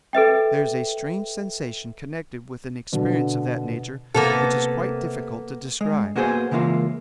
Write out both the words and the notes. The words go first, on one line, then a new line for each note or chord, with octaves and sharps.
There is a strange sensation connected with an experience of that nature which is quite difficult to describe.
A4 B4 E5 G5
B2 D3
C3 A#3 B3 A4
G#3
A#3 B3 F#4 G#4 C5
C#3 E3 G#3 A#3 F4